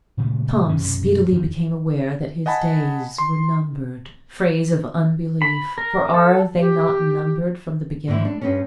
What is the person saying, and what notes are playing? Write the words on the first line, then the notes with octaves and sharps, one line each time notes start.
Tom speedily became aware that his days were numbered--phrase of unbelief, for are they not numbered from the beginning?
A#2 C#3 G#3 A3
B1 F#2 C3 C#4
F2 D#3
D#5 F#5 G#5 A5 B5
C6
B5
A#4
A4
G4
G#2 D3 A3 E4
D4
G2 C4 C#4